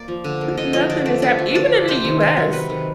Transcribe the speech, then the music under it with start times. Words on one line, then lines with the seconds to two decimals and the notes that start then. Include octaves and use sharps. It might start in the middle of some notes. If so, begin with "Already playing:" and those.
Nothing has happ even in the US,
Already playing: A#3 D5
0.08 F3
0.24 D3
0.41 A#3
0.57 D3 D#5
0.73 F3 D#5
0.89 D3 D5
1.06 A3 D5
1.22 D3 D5
1.39 F3
1.55 D3 D5
1.71 A3
1.88 C3 C5
2.05 D#3
2.20 C3
2.37 F#3
2.53 C3 B4
2.69 D#3